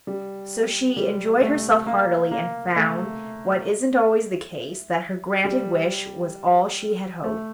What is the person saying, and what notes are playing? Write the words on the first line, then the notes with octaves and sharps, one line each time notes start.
So she enjoyed herself heartily, and found, what isn't always the case, that her granted wish was all she had hoped.
G3
G3
A3
A#3
A#3
A3
G3
A3